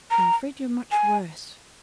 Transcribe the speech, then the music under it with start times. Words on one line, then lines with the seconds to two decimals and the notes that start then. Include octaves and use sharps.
'I'm afraid you're much worse.
0.11 A#5
0.92 G#5